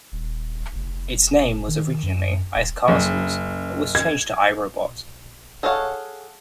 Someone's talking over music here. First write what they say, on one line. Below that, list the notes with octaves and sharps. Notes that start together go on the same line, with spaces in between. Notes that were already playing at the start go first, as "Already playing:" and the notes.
Its name was originally "Ice Castles", but was changed to "I, Robot".
D#1
F1
D#3
F#2
D#1
F#1
G#6
G#4 A4 C#5 F5 F#5